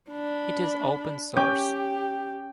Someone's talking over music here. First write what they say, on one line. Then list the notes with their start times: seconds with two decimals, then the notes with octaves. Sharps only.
It is open source.
0.11 D4 B5
1.36 C#4 G4 G5 D6